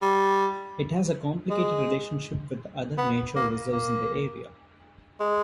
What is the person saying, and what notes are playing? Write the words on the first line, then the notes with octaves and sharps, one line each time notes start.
It has a complicated relationship with other nature reserves in the area.
G3
G#3
B3
A#3
A#3
G#3